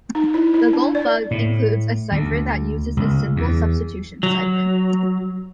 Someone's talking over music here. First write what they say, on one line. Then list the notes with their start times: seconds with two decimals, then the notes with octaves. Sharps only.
"The Gold-Bug" includes a cipher that uses a simple substitution cipher.
0.15 D#4
0.34 E4
0.54 E4
0.73 D4
0.95 D5
1.31 A2
2.12 D2
2.97 C#2
3.36 E2
4.23 F#3